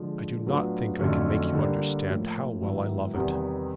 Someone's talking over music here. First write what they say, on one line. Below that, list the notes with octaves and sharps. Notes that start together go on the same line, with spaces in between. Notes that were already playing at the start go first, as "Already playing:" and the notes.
I do not think I can make you understand how well I love it.
Already playing: D3 F3 G#3
A2 F#3 B3 D4 F4
F2 D3 F#3 A3 C#4
D3 G3 A#3
A2 F3 A#3
G#2 D#3 F#3 B3 E4
E2 C3 D#3 G3 B3